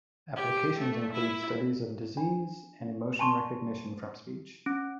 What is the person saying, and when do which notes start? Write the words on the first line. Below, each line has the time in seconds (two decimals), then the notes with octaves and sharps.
Applications include studies of disease and emotion recognition from speech.
0.36 G4
0.79 A3
1.13 E4
2.17 D4
3.19 G#5 A5 C6 C#6
4.66 C#4